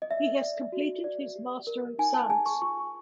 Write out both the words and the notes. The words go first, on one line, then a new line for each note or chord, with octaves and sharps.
He has completed his Master of Science.
D#5
D5 E5
D5
F#4
D5
G4
A#4
D#4 G#5
A5
G#4 G#5
C#6
F4 C#6